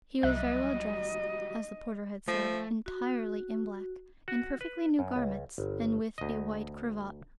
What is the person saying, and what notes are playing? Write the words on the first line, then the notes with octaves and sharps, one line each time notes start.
He was very well dressed, as the porter had said, entirely in black, in perfectly new garments, and with a white cravat.
C2 F#3 G3 D#5 E5 F#6
F3 A3
F#4
F#4
B4
F#2
C#2
G1
D2 D#5